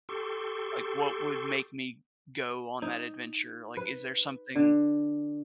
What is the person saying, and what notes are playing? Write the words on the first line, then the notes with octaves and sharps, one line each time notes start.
Like, what would make me go on that adventure? Like, is there something
G4 A4 C6 C#6
D#4
B4
D3